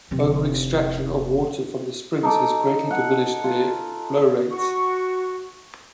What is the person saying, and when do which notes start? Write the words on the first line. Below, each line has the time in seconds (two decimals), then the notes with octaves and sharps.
Over-extraction of water from the springs has greatly diminished their flow rates.
0.11 F1 C4
2.23 D#4 A4 D6
2.91 F#5
3.44 F4
4.50 F#4 C#6